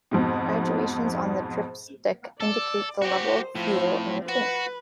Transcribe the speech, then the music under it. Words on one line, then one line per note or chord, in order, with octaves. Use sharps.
Graduations on the dripstick indicate the level of the fuel in the tank.
F2 G#2 B2
A4 D5
F#4 G4 C5
A2 F3 C4
F#4 B4